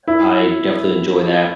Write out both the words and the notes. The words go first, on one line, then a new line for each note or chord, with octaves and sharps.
I definitely enjoy that.
E4